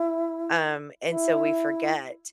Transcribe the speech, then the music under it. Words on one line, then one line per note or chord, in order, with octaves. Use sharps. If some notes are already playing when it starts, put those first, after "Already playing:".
um, and so we forget.
Already playing: E4
E4